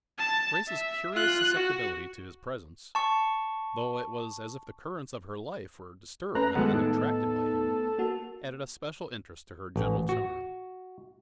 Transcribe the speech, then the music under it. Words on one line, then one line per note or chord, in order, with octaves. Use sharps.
Grace's curious susceptibility to his presence, though it was as if the currents of her life were disturbed rather than attracted by him, added a special interest to her general charm.
A5
E5
F4 F#6
F#4
A5 C#6
A3 C#4 B4 A#5 F#6
D#3 F#3 G#3 A3 B3 A4 F#5
A2 A3 D#4 A4
A#3 F#4
A1
F#4